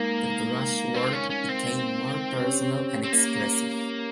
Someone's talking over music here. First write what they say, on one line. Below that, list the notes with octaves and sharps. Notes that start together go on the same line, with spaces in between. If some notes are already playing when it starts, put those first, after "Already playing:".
The brushwork became more personal and expressive.
Already playing: G#3 A#3 D#4 A#4 F5
C4
C#4
C#4
C4
C#4 G4 C#5
C4
A#3